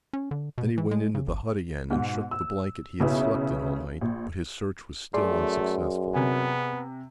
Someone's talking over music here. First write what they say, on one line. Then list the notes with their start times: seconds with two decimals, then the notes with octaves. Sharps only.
Then he went into the hut again, and shook the blanket he had slept in all night, but his search was still unsuccessful.
0.13 C#4
0.31 D3
0.58 B2
0.78 E3
0.91 G#3
1.15 C#3
1.27 G#1
1.91 G#2 B2
2.31 E6
3.00 B1 C#3 B3 C#4 E4 E5
4.01 A#1
5.14 F#2 A3 G#4 D5 C6
6.14 C3 B3 G#5